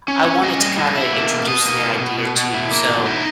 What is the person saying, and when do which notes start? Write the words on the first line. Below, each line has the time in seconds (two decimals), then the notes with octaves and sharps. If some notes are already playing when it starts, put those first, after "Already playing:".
I wanted to kinda introduce the idea to you, so,
0.08 C#4
0.25 C#4
0.42 C#4 D#5
0.60 G3 D#5
0.78 E4 D#5
0.95 B2 E5
1.13 A#3
1.31 B2
1.48 B2 D#5
1.66 A#3
1.83 B2
2.01 B2
2.18 B2
2.35 B2
2.54 E4
2.71 A#3
2.89 B2
3.06 D#4 E4